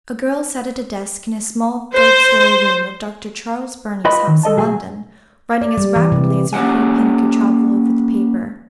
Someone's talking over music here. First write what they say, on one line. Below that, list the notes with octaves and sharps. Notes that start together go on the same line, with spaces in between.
A girl sat at a desk in a small third-story room of Dr. Charles Burney's house in London, writing as rapidly as her quill-pen could travel over the paper.
C5
F4 B4 D#5 G5 B5
D#3
A4 D#5 A5
B1 F#3 G#4 G#5
D5
G3
E3
C3
A#3 C#4 G4 F#5 G#5